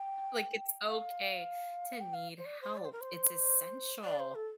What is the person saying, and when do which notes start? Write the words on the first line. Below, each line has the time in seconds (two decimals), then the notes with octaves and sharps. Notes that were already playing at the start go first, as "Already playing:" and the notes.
Like, it's okay to need help, it's essential.
Already playing: G5
0.88 F5
2.00 G5
2.14 F5
2.38 C5
2.45 D5
2.61 C5
2.77 D5
2.85 C5
2.92 A#4
3.01 C5
4.04 D5
4.19 C5
4.35 A4